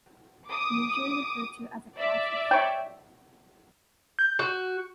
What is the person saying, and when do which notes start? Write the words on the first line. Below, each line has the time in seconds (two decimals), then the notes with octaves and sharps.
Usually referred to as a "class" of shock.
0.48 D6 D#6
1.97 D5 E5
2.51 C#5 G5
4.19 G6
4.39 F#4